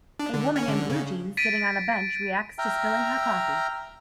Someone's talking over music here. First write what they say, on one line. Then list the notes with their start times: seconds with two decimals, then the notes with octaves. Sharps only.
A woman in blue jeans sitting on a bench reacts to spilling her coffee.
0.19 D4
0.34 D3
0.56 C#4
0.68 D3
0.90 C#3
1.37 A6 B6 D7 D#7
2.58 E5 G5 A#5 F6